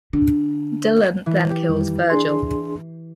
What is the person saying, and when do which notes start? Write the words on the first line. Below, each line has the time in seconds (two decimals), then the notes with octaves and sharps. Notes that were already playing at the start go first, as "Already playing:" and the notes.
Dylan then kills Virgil.
0.13 D3
1.26 E3
1.50 G4
1.69 F2 D#3 G3
2.10 D4 G#4 C6